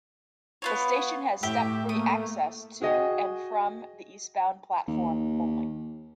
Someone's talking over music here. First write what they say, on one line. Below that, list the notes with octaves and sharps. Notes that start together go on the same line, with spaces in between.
The station has step-free access to and from the eastbound platform only.
B3 F4 C#5
A2 G4 E5 G5
A3 A#3 D#6
F#4 G#4 D#5 G5 G#5
D#2